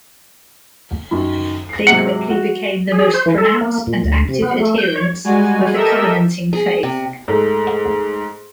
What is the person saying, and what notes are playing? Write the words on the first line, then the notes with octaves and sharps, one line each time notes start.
They quickly became the most pronounced and active adherents of the covenanting faith.
F#2 D#3
A#6 C7
G#2 C3 F#3 F#5
F#4
G#4
C5
E3
A4
A#3
A#2
D2
C3
B3
A3
G6
C#5
G3 G#3 F#4 G#5
G4 A4 A#4 D#5 E5 E6
G#4
C3
G#2 A3